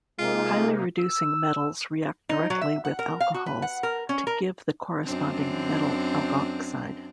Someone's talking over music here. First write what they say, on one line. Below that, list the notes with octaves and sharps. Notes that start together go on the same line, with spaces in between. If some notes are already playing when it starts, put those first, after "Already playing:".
Highly reducing metals react directly with alcohols to give the corresponding metal alkoxide.
C3 G#3 A#3 D#4 F4
E6
D#4
F#3
E5
F#5
A#4
F5
F#4
B4
F#5
A#4
C#4
A#4
F#2 C4 D4